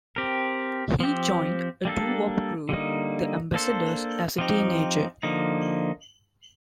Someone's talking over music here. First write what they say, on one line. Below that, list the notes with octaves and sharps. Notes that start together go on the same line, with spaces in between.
He joined a doo-wop group, The Ambassadors, as a teenager.
C4 G4 A#4
F3 C4 G4
G3 A#3 D4 A4
D3 G3 A#3 D#4
A#3 D4 A4 C5
F3 C4 D#4 G4
D3 F3 A#3 D#4